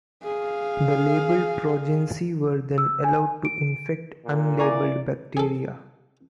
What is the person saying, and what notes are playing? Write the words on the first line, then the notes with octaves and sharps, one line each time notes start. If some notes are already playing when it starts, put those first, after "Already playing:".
The labeled progeny were then allowed to infect unlabeled bacteria.
G#4 F5
E6
G#5
D7
A#2
E4 D5 G#5 A#5 C#6
G#4 A4